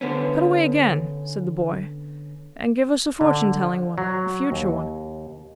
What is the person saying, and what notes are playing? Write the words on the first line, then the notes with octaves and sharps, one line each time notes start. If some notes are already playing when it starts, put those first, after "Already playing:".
'Cut away again,' said the boy, 'and give us a fortune-telling one; a future one.'
D3 B3 C#4
D3
F#3
D#2